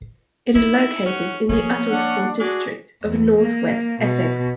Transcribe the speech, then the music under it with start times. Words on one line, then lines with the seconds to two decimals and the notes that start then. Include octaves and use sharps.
It is located in the Uttlesford district of North West Essex.
0.55 D#4 E4
1.06 C#4 F#5
1.49 F3 A#3 C#4 G#4
1.90 D4 F#5
2.40 D4 F#4 G#4
3.03 E2
3.40 A#3
4.00 B2